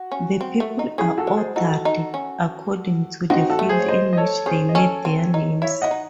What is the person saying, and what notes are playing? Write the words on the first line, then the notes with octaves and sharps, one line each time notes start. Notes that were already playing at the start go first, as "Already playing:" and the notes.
The people are ordered according to the field in which they made their names.
Already playing: F#4
C#4
C4
A3
D#4
C#4 E4 G#4
F#4 A4
G#3
G#4 C5
D#4 F#4 A4
D#4
C#4
C4 D#4 F#4
F#4 A4
A3
G#4 C5
C#5
C5 D#5
D#5
A4 C#5
C#4 G#4 C5
D#5
C#4 A4 C#5
C4
D#4
E4 C#5 E5
E4 D#5 F#5
D#4